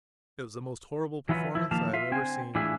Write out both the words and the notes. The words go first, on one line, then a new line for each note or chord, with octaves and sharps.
It was the most horrible performance I have ever seen.
E3 F#3 E4 F4 B4
F3 E4
D#3 F3 A#3 F5 A5
F4 E5 F5
D3 C4 C5 G5 G#5
A2 E3 D4 F4 G#4 E5